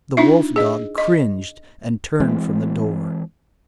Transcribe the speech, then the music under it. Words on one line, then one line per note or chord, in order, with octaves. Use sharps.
The wolf-dog cringed, and turned from the door.
D4 D#4 F4 E5
G#4 D#5
D#5
E3 G#3 C4